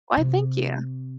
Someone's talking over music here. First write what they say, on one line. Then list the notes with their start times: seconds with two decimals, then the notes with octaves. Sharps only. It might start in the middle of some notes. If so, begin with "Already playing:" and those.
Why, thank you.
0.17 C3